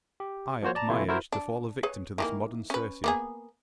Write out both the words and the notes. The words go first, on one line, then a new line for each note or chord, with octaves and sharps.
I, at my age, to fall a victim to this modern Circe!
G4
F3 A#3 F#4 C5 C#5
D5 A5 A#5
C3 E3 A3 E4 F4
E4 F#4 A#4 C5
D4
G#4 B4 C#5
D#3 E3 A#3
C#4 B4
A#3 B3 G#4